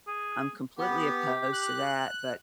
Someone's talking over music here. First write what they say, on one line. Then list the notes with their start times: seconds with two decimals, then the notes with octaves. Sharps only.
I'm completely opposed to that, but
0.07 G#4
0.79 B3 G4
1.53 F#6